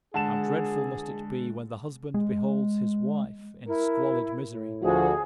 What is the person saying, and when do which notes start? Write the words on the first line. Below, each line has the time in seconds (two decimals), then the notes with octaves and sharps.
How dreadful must it be when the husband beholds his wife in squalid misery.
0.14 D3 G#3 G#4 A5 E7
2.14 G#3
3.68 E4 A#4
4.51 A2
4.83 D2 F3 F#4 G#4